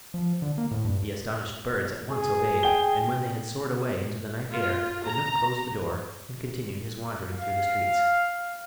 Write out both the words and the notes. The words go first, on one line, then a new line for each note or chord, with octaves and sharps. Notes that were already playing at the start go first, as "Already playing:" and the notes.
The astonished birds at once obeyed, and when they had soared away into the night air the knook closed the door and continued his wandering through the streets.
F3
D3
A#3
A2
G2
G#4
G5 G7
F4
A#5
F5